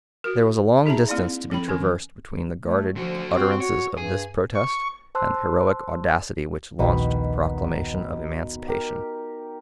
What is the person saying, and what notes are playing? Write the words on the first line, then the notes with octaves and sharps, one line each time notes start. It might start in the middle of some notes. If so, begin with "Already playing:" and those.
There was a long distance to be traversed between the guarded utterances of this protest and the heroic audacity which launched the proclamation of emancipation.
F#4 A#4
D#4 G#4 E5 A5 A#5
A#3 C4 E4 D5 F5
F3 C4 A4 G5 B5
D3 E3 C#4 A#4
A3
D3 F3 F#4
C4 F#4
F#4 C#5
G2 G#4
C#6
C5 A5 C6 E6 F#6
A#1 D#2 B2 D#3 B4
G4 A#4